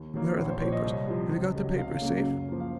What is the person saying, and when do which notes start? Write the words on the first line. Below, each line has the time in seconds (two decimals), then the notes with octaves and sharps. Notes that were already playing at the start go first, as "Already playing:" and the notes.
Where are the papers?--Have you got the papers safe?
Already playing: D#2
0.14 D#3 F#3 A#3
0.37 A#1 C#5
0.49 C5
0.60 A#2 F3 C#5
0.72 D#5
0.84 C2
1.07 C3 F3
1.31 C#2
1.55 C3 F#3
1.78 C#2 F5
2.01 C#3 F#3 A#3
2.24 F#2
2.48 F3 A#3
2.60 F5